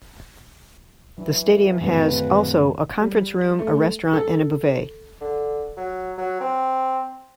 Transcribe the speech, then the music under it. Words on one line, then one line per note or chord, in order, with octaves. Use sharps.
The stadium has also a conference room, a restaurant and a buvette.
E3 F#3 D4
D1 F#2 A#2 D#3 B4
G3
A3
A4
D3
F#3
F#3
C4